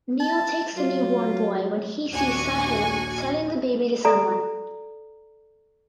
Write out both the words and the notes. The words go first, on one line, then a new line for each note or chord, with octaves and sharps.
Neel takes the newborn boy when he sees Sahil selling the baby to someone.
A5
F#3 F4
A#1 D#2 D4 F#4 G#5 C#6
A4 D5 A#5